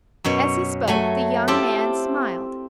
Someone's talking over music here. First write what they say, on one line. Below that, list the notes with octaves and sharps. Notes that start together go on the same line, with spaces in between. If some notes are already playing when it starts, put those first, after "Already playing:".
As he spoke the young man smiled.
F#2 B2 C#5
F#3 A3 G#5
C4 E4 F4 G4 A4